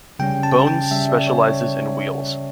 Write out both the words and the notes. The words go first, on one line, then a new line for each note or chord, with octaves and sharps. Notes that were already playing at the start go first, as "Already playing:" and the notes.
Bones specializes in wheels.
C#3 G3 C#4 G5
A5
G5
C#3 G3 C#4 E5
D5
C#5
C#5